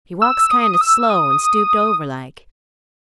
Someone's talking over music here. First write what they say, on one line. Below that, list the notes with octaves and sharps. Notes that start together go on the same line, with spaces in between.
"He walks kind of slow and stooped over, like."
E6
D#6
E6
D#6